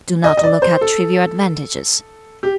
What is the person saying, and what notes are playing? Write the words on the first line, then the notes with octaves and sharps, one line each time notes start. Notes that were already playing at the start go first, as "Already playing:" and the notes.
Do not look at trivial advantages.
D#5
D#5
D5
C5
A4
G4